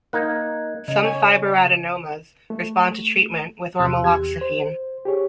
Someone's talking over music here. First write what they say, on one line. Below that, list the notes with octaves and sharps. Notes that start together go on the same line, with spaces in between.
Some fibroadenomas respond to treatment with ormeloxifene.
A#3 D#4 F#6 G#6
C#3 D#5 A#5
C#5 G#5
A3
E2 C3 C6 E6 F#6
E2 G4 G#6
C5
G4 G#4 C#5